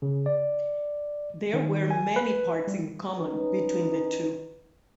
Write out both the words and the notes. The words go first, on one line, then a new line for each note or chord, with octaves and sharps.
There were many parts in common between the two.
C#3
D5
D#3
G#5
B4
G3
C#4 D#4 B4